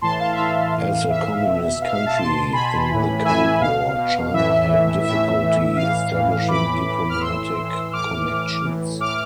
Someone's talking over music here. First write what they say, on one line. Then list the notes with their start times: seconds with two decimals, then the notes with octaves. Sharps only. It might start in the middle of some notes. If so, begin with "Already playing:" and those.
As a communist country in the Cold War, China had difficulty establishing diplomatic connections.
0.01 A2 E3 A5 C6
0.19 F5 A5
0.32 E5
0.37 A2 E3 F5
0.73 A2 E3
1.10 A2 E3 E5
1.46 B2
1.82 B2 F5
1.94 F5
2.05 F5 A5
2.17 B2 A5 C6
2.53 B2 G#5 B5
2.90 A2 E3
3.25 A2 E3 E5 G#5
3.61 B2 F5
3.98 B2
4.33 A2 E3 E5
4.69 A2 E3
5.05 A2 E3 E5
5.41 A2 E3
5.76 A2 E3 F5
6.13 A2 E3
6.48 A2 E3 B5 D6
6.84 A2 E3
7.09 F6
7.20 A2 E3 C6 E6
7.57 A2 E3
7.92 A2 E3 D6 F6
8.29 A2 E3
8.65 A2 E3
9.00 A2 E3 D6 F6